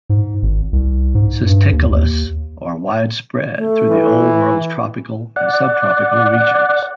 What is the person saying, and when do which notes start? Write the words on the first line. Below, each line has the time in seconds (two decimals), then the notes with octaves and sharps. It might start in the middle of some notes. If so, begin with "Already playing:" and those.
Cisticolas are widespread through the Old World's tropical and sub-tropical regions.
0.10 G#2
0.43 G#1
0.73 C2
1.15 G#2
1.46 G2
1.73 D#2
1.91 D#2
3.57 A3
3.90 E3
5.36 D5 F#5